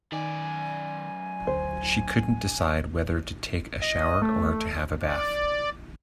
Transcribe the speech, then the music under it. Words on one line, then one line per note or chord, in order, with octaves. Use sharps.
She couldn't decide whether to take a shower or to have a bath.
F#2 D#3 D5 G#5
D2 C5
D#5
A3
D5